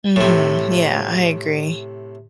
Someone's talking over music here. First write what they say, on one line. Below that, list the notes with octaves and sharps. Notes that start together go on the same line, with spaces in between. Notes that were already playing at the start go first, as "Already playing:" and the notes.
Mhm. Yeah, I agree.
A2 C3